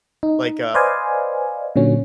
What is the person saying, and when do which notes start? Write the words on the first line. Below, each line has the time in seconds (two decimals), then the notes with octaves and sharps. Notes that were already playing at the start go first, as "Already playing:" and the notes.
Like, uh
0.23 D#4
0.75 B4 C5 D5 D#5 F5 G#5
1.76 A#2 D3 F#3 C#4